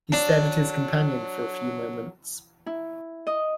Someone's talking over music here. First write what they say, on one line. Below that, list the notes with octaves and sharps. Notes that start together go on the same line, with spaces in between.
He stared at his companion for a few moments.
F#3 D4
E4
D#5